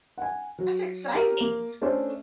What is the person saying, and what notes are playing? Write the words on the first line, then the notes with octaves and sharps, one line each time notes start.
That's exciting.
F#5 G#5
F#3
G4 A#4
A#3
A3 C#4 D4 A4 C5